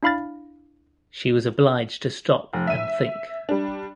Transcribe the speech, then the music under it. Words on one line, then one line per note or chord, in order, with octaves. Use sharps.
She was obliged to stop and think.
D4 E4 F5 B5 F6 A6
F1
E5 D#7
G3 D4